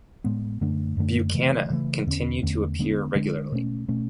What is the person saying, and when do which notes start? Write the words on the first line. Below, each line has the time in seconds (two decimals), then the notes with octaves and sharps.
Buchana continue to appear regularly.
0.24 A2 G#3 B3
0.61 F#2 D3 A3 D4
0.97 F#2 D3 A3 D4
1.34 C#3 E3 A3
1.70 C#3 E3 A3
2.06 E2 D3 A3 C#4
2.43 E2 D3 A3 C#4
2.79 D3 G#3 B3 D4
3.15 D3 G#3 B3 D4
3.52 B2 A3 C#4
3.88 B2 A3 C#4